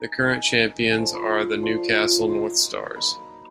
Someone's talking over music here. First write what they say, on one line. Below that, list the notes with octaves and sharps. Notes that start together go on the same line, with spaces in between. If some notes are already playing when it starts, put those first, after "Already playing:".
The current champions are the Newcastle Northstars.
Already playing: A#3 D#4 G#5
A#3 D#4 G#5
G#5
F3 A3 D4 F4 A5
B5 C6
C#6
F3 A3 D4 F4 C6
F#3 A#3 D#4 C6
F#3 A#3 D#4 B5